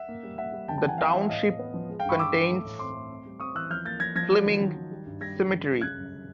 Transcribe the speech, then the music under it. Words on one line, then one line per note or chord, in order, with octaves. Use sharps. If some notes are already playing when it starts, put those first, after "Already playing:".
The township contains Fleming Cemetery.
Already playing: E5 F#5
A#3
G3
A#3 E5 F#5
G3
F2 G5 A5
G5 A5
E3
F#5 G#5
F2 F5 G5
E3 E5 F#5
A2 D#5 F5
B3
B3
F3
G#3
F5 G5
G2 B5 C#6
G#3 D6 E6
E3
A3
A2
C4 C6 D6
A3
C4
G3
C4 C#6 D#6
E3 E6 F#6
F3 F6 G6
A#3 G6 A6
F3 G#6 A#6
F3 G#6 A#6
F#3
D#3
D#3
D#3
G3
G2
G3 G#6 A#6
G3
C#3
C#3
C#3 F#6 G#6
F#2